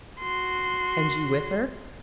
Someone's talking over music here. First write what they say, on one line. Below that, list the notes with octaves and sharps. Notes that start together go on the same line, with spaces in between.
"And you with her?"
F#4 C6